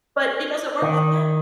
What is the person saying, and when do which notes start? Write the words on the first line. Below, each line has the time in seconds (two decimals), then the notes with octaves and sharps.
But it doesn't work like that?
0.82 D#3